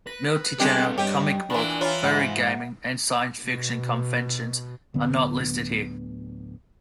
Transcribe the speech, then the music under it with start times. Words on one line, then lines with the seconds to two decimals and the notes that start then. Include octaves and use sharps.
Multi-genre, comic book, furry, gaming, and science fiction conventions are not listed here.
0.07 B4 A#6
0.60 G3 G#3 B3 C4 D4 G4 A4 G5
0.98 G2 G3 G4 C#5 D#5
1.50 A#2 E3 D4 F#7
1.81 E3 F4 C#5 A#5 B5
2.04 G#2 E5 F#5
3.44 B2
4.94 D1 D3 B3